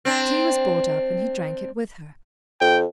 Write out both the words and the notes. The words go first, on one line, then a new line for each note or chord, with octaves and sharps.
Tea was brought up, and he drank it with her.
C4 D4
F2 G5